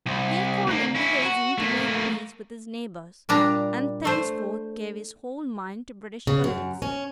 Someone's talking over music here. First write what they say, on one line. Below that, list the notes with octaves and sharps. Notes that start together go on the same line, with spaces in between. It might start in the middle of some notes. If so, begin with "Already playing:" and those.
He accordingly hastened to make peace with his neighbours, and thenceforth gave his whole mind to British politics.
C2
D2 A#3
C#4 E4
F#4
A3 A#3
A#2 G3 D4 A#5
A3 C5
C#3
F#2
C#4